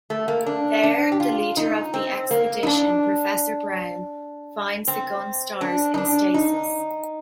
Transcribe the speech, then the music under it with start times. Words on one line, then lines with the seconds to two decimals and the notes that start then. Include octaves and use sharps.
There, the leader of the expedition, Professor Brown, finds the Gunstars in stasis.
0.10 A3
0.28 A#3
0.46 D4
0.83 D4
1.12 G4
1.20 F4
1.57 D#4
1.94 C4
2.31 A#3
2.63 D#4
2.67 D4
4.88 C4
5.61 D4
5.94 D#4
5.98 D4
6.34 D#4